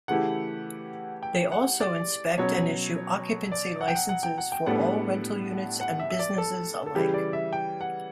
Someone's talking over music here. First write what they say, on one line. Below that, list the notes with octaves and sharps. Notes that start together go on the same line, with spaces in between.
They also inspect and issue occupancy licenses for all rental units and businesses alike.
C#3 E3 A3 E4 G4 F#5
G5
F#5
D5
B2 F#3 C#4 C#5
D5
F#5
G5
F#5
F#5
G5
F#5
G5
A2 G3 B3 D4 A4 F#5
F#5
E5
E5
D5
A4
A4
C#3 E3 G3 G4
D5
E5
G5
F#5